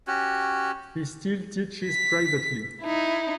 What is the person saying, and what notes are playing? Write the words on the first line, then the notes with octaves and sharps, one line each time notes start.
He still teaches privately.
C#4 F#4 G4
B6
D#4 E4